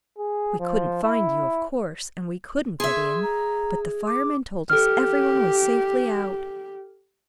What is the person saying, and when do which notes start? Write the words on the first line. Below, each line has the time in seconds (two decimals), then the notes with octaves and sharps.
'We couldn't find you, of course--and we couldn't get in--but the firemen told us every one was safely out.
0.18 G#4
0.60 F3
1.04 E4
2.80 G#4 E5 C6
3.23 A#5
4.07 D6
4.70 G4 A4 F6